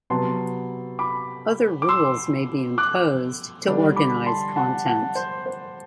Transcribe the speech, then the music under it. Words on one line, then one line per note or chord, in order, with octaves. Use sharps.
Other rules may be imposed to organize content.
C3 F#3 B3 A5 C6
B5 D6
D6
C6 E6
D6 F#6
D3 G3 D4
B5 D6
A5 C6
F#5 A5
F#5 A5
C5
C5